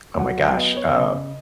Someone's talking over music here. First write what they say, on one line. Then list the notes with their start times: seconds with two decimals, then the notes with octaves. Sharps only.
oh my gosh, uh,
0.19 F#3 F#5
0.38 F5
0.57 B3 D#5
0.77 C#5
0.95 C#3 D#5